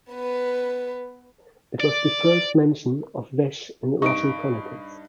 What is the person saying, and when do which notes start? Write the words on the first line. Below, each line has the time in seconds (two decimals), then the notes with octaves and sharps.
It was the first mention of veche in Russian chronicles.
0.10 B3 B4
1.80 D5
4.02 G2 D#4 C#6 D7